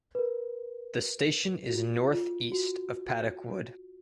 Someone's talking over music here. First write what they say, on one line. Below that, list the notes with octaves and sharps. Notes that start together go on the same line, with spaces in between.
The station is north east of Paddock Wood.
B4
A#4
F#4
F4
F4
F#4